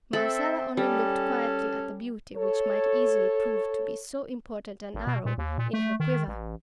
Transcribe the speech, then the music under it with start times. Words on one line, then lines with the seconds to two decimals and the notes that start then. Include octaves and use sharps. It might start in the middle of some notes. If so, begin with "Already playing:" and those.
Marcella only looked quietly at the beauty which might easily prove to be so important an arrow in her quiver.
0.13 C4 A4 E5 B5
0.77 G3 C#4 A4
2.36 A4 C#5
4.94 G#1
5.07 B2
5.25 A#2
5.38 D#2
5.58 A#2
5.73 A3
6.00 D#3
6.27 A1